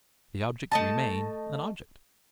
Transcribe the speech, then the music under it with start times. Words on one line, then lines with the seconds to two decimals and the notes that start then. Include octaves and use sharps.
The object remained an object.
0.72 A3 D#5 A5